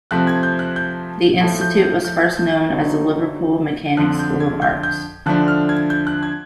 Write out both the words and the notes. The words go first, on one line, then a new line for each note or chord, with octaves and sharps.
The Institute was first known as the Liverpool Mechanics' School of Arts.
C3 F3 A3 C4 F#6
G#6
G6
F#6
G6
A2 F3 A3
G6
G6
G6
G6
D3 F#3 B3 D#4
F2 D3 F3 F#6
G6
G#6
G6
G6
D3 F3 A3 D4 F#6
F6
G#6
G6
F#6
G#6